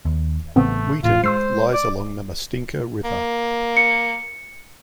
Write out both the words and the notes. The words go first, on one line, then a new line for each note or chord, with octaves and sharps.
Wheaton lies along the Mustinka River.
D#2
A1 C#3 A3 B3 C4
A1 A2 F4
G#3 C5 C6 E6 C7
D5
A#3
C#7